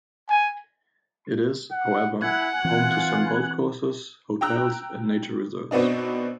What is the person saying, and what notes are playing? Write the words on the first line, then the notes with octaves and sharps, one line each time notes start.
It is, however, home to some golf courses, hotels, and nature reserves.
G#5
F#5
E4 F#5 G#5 F#6
E3 C4 F4
G5 A#5 E6 F#6
B2 B3 C4 D4 D#4